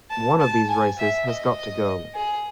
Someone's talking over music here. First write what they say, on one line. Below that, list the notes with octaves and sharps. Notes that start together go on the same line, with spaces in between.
One of these races has got to go.
A5
A5
G#5
E5
D#5
G#4